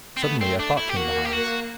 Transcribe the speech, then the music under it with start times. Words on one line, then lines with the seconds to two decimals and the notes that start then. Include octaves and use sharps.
Suddenly a thought came to Hans.
0.17 C4
0.22 A3 B3
0.41 C4
0.59 D4
0.77 E4
0.89 G4
0.96 A#3 F#4
1.25 G4
1.33 F#4